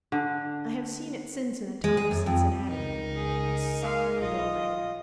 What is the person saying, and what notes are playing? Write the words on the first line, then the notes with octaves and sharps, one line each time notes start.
I have seen it since in the town of Cincinnati,--a sorry building!
D3
G#3
G#4
F#2
F2
C#2 D#4 A#4
G#4
A#3 F5
B1 F4 D#5